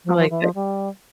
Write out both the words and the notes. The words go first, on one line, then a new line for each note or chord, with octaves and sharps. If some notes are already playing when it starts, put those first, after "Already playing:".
I like that.
F3
F3
E3
F3
G3